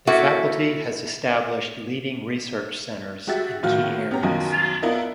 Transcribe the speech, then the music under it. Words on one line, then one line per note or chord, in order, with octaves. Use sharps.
The Faculty has established leading research centres in key areas.
A#3 E4 F#4 A4 E5 F#5
G#3 F#4 G4 E5 A6
A2 D#3 F#3 F4 F#4 F6
B3 C#4 G4 A#5
B1 F#2 D#3 F4 D#5 G#5
B3 D4 E4 F4 A#4 D#5